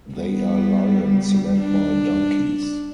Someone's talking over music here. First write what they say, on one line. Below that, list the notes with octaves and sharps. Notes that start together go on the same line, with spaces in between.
They are lions led by donkeys.
G3 B3
D4